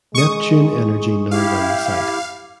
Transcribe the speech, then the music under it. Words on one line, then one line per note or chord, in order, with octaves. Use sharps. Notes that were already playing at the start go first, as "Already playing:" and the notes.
Neptune Energy now run the site.
G#3 C#6 D#6
E4 G4 F5